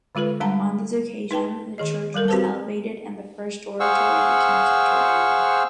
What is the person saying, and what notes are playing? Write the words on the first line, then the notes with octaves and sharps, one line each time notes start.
On this occasion, the church was elevated and the first oratory became subterranean.
D3 G#3 F4 A4 B4
G3 G#3 D4 F#5 A5 A#5
D#4 B4 G5 A5
D#3 G#4 D#5
F#3 G3 A4 A#4
C4 F#4 G4 B4 C5 A5
G#4 C5 F5 F#5 C#6 E6